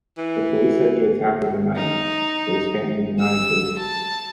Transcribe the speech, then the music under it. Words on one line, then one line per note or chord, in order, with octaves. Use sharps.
The police said he attacked with a knife, but his family denied this.
E3
D#4
E6
A5